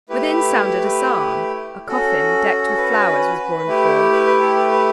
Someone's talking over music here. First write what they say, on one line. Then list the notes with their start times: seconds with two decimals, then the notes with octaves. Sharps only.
Within sounded a psalm; a coffin, decked with flowers, was borne forth.
0.09 A3 E4 G4 B4
1.88 C#4 F#4 A4
2.68 A4
2.77 B4
2.92 B4
3.00 C#5
3.07 B4
3.67 A3 E4 G4
4.12 B4
4.26 B4
4.41 A4
4.56 B4
4.71 B4